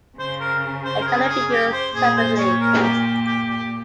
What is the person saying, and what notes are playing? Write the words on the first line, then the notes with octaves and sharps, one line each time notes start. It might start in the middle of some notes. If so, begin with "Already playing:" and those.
It cannot be used separately.
C#3 C5
A#4
C5
A#4
G#4
A#4
G#4
G4
C5
A#2 G#4
C5
C#5
A#4
G4
G4
G4
G4